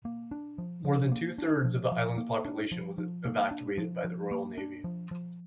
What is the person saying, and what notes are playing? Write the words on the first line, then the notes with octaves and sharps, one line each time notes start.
More than two-thirds of the island's population was evacuated by the Royal Navy.
A#3
D4
F3
F3
A#3
D4
F3
F3
A#3
D4
F3
F3
A#3
D4
F3
F3
A#3
D4
F3
F3